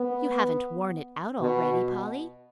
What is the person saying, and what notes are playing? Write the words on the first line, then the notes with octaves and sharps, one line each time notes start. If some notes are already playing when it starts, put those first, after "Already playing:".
"You haven't worn it out already, Polly?"
Already playing: B3
B2